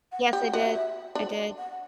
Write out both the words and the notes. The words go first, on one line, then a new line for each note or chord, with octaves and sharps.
Yes, I did. I did.
F#5
G4 F#5
F#4 E5
D4
F#5